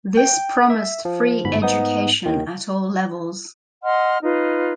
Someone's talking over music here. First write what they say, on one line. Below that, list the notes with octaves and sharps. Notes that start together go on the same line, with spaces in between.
This promised free education at all levels.
G5
E5
F3
G1 G#2 B5
G#2 B3 D#4 D#6
D#2 D#3
D#5 F#5 C6 F6
D#4 F4 B4